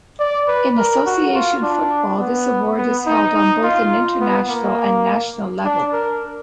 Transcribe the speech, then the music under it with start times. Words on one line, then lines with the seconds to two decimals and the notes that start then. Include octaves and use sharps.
In association football, this award is held on both an international and national level.
0.19 D5
0.48 B4
0.77 A#4
1.06 F#4
1.35 F4
1.63 D4
2.20 B3
2.77 B3
3.06 D#4
3.35 D#4
3.63 F4
4.21 B3
4.49 A#3
5.64 D4
5.93 A#4